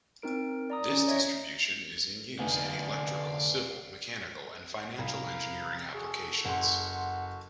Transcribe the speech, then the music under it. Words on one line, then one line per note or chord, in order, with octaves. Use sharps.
This distribution is in use in electrical, civil, mechanical, and financial engineering applications.
C4 D#4 A#4 D7
D5 A#5 D#6
C#4 D5 A#5
C#5 D#5 E5 G#6 A#6
F1 D3 B3 D#4 D5 F5 G#5
C2 F5 A#5 B5
F#4 G#4 A4
F#1 F#5 C6